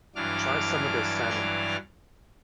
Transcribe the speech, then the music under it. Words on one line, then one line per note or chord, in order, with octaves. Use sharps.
Try some of this salmon.
G2 E3 F#3 D4 D6 F6